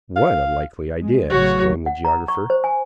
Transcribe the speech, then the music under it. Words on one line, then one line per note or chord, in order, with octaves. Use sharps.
"What a likely idea!" exclaimed the geographer.
F5
G#3
A1 C#3 F#3 F#4 C#5
F#5
A#5
C#6
C5
G#5